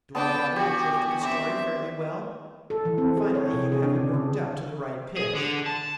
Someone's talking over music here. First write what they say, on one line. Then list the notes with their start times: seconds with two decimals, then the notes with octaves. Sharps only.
Do I gather the drift of the story fairly well? Finally you have him worked up to the right pitch.
0.15 B3 D4 G5 A5 D#6
0.56 F#4 G4 G#5
1.21 C4 E5 D6
2.70 A4
2.85 E3
2.98 C4
3.17 G#4
3.35 C#5
3.53 C3
3.72 G#4
3.84 D4
3.96 C#3
4.14 D3
5.17 G#4
5.35 D3
5.66 A5